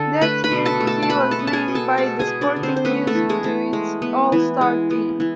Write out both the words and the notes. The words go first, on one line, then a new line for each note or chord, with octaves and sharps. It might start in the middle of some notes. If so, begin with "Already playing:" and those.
That year, he was named by "The Sporting News" to its All-Star Team.
Already playing: D3 A4 A5
A3 B4 B5
B4 B5
B2
A4 A5
A3
A4 A5
A5
G#3 B4 B5
A4 A5
B3
A5
G#4 G#5
B2
A4 A5
G#3 A4 A5
G#4 G#5
B3
D4 D5
D3
C4 C5
C5
A3 B3 B4
A3 A4
E3
G#3 G#4
A3
G#3
B3
E3
G#3
B3
E3